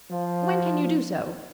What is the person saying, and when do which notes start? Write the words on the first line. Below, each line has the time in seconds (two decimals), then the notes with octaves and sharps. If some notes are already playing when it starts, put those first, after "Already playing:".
"When can you do so?"
0.10 F3